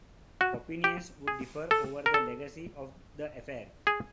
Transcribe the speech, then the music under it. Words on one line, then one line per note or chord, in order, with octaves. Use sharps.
Opinions would differ over the legacy of the affair.
F#4
G4
G#4
A4
A#4
A4
G#4